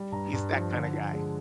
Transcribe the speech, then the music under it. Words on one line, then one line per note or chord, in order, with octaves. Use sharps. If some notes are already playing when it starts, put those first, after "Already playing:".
he's that kinda guy.
Already playing: G3
G2 A#5
G2
F3
D3
F3
G#3